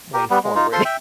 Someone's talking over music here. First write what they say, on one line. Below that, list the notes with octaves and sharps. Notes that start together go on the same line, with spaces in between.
way forward.
G4 A#4
G3 B3
G#3
D#4 F4
F4 A4 C5 C6
E5 G5